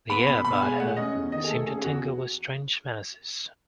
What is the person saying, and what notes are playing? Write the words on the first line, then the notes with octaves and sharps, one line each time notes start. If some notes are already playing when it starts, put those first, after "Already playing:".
The air about her seemed to tingle with strange menaces.
B3 B5
B2 B5
B2 B5
G#3 G#5
A3 F#5
C#4 D#5
E2
D#3 D#5
G#4
A3 A4
C#4 G#4
G#4
E2 F#4